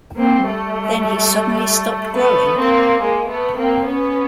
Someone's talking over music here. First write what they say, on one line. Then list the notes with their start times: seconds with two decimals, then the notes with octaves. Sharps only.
Then he suddenly stopped growing.
0.18 A#3 C4
0.45 G3 A3
2.16 A3 B3
2.58 A#3 C4
3.01 G#3 A#3
3.29 A3 B3
3.58 A#3 C4
3.85 B3 C#4